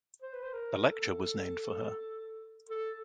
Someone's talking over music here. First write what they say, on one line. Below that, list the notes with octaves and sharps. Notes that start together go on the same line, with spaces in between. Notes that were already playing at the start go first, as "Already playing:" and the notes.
A lecture was named for her.
C5
B4
C5
A#4
A4
A4